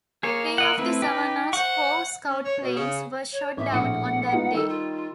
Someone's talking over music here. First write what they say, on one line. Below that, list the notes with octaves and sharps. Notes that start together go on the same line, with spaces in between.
Three of the "Savannah"s four scout planes were shot down on that day.
A#3 G#4 C#5
A#4 D#5 F#5
A3 C4 E4 B4
D#4 G4
C5 F#5 C#6
C#4
C#5
B2
C#3
C#5
A1 E5
A#1 A2 F#5 C#7
B3 D#4 F4
D#3 G3 A4 E6
F4